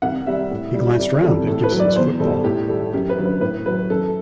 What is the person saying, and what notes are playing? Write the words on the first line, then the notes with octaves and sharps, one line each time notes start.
He glanced round at Gibson’s footfall.
C2 F#5
C3 G3 E5
A2
G3
C2 D5
C3 E3 G3 A4
A2 A4
B4
F#3
D5
E2 C5
B2 G3 A4
A2 G4
G3 A4
F#2 G4
B4
D3 F#3
B4
A2 B4
F#3 B4
F#2 A4